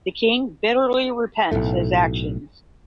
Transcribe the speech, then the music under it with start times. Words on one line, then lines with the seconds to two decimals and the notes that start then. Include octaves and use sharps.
The King bitterly repents his actions.
1.51 B1 F2 A2 A3